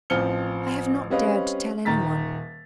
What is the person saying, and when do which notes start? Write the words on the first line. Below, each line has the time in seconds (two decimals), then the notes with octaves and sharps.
I have not dared to tell anyone.
0.10 A1 F3 C4 F6 C#7 G7
1.10 G3 C4 C#4 B4 D#5 F5
1.85 D#1 D#3 A#5 A6 B6